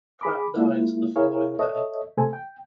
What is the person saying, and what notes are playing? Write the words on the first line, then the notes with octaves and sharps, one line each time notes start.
Pratt died the following day.
G#4 B5 D6
G#3 A#3 E4 F4
E4 G#4 A#4 C#5 F5
A4 C#5 D#5 E5
C3 A3 A4 C5 G#5
G5